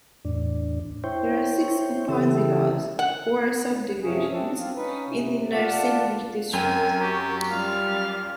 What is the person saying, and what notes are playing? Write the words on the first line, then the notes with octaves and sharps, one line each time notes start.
There are six upazilas, or subdivisions, in the Narsingdi district.
E2 A2 D4
E4 C5 C#5 G5
C#3 E3 G4 A4 E5
F#5
F#2 C3 F3 C#4 G#4
C4 D4 A4
C4 F4
C#4 D#4 B4
C3
F4 D5 F#5 A5
F#2 C4 A#4 G5 G#5
F#4 G4 A#5
G3 F4 F5